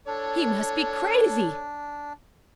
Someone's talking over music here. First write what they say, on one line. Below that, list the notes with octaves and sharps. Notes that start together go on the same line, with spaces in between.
He must be crazy.
D4 A4 C#5